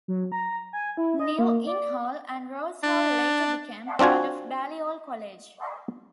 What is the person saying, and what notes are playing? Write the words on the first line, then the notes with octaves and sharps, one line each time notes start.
New Inn Hall and Rose Hall later became part of Balliol College.
F#3
A#5
G#5
E4
D#5
A#3
D5
D4
C4 D4 F4 F#4 G#5